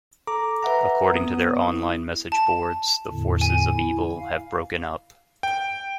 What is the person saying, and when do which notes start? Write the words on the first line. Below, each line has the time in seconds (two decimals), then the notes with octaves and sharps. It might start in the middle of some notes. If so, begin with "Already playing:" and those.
According to their online message boards, The Forces of Evil have broken up.
0.27 A4 A#5 D6
0.63 B4 E5 F#5 A#5
1.14 B3 D#6
1.68 E4
2.32 A5
3.09 E2 A2 D3
3.41 G#5
3.75 E4
4.20 F5
5.43 G5